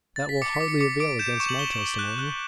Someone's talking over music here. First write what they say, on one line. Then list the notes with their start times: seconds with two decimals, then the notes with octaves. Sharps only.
"That will hardly avail against my testimony."
0.16 A6
0.29 B6
0.42 D6 C#7
0.54 B6
0.60 D6
0.68 C#7
0.80 D6 C#7
1.00 D6 D7
1.19 G6 E7
1.29 D7
1.40 C#6 E7
1.49 F#7
1.59 C#6 G7
1.78 C#6
1.99 F#6
2.19 F#6